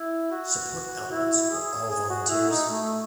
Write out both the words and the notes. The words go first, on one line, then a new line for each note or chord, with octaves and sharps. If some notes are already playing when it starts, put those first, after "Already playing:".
Support elements were all volunteers.
Already playing: E4
F#4
E4
G#4
G#4
F#4
E4
D#4
A3